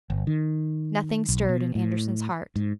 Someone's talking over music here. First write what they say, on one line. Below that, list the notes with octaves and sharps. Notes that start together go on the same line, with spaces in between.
Nothing stirred in Andersen's heart.
G1
D#3
B1
B2
A2
G#2